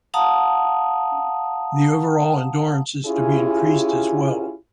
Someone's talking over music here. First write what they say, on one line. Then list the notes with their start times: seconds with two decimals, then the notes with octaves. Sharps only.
The overall endurance is to be increased as well.
0.14 F5 F#5 A5 A#5 D#6
3.06 C#4 E4 F4 G4 G#4